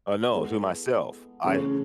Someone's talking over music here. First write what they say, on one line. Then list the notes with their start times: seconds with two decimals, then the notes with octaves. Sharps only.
Oh, no, to myself, I
0.32 G#3 B3 E4 A4
1.44 C#3 E3 A3 C#4 G#4